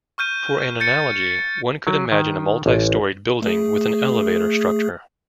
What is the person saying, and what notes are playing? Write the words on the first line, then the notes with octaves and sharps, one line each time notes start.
For an analogy, one could imagine a multistoried building with an elevator structure.
C#6 F6 G6 D#7
G6 A6 C#7
F#3
D#3
A1
A3 G#4